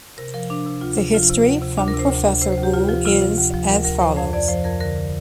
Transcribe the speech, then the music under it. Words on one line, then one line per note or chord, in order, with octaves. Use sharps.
The history from Professor Wu is as follows.
C3 A#4
F3 A#4
C3 D4
C3
D2 F4
C3
F3 F4
C3
D2
C3
D2 D4
A#4
C3
C5
D2
D2
C3 C5
C5
D2
G4
D2 F4
F3 F4
C3 F4
F3
D2
F3
D2 A#4
D2 A#4
F3 C5
F2 C5
F2 D5
F3 C5
F2 A#4
D3 A#4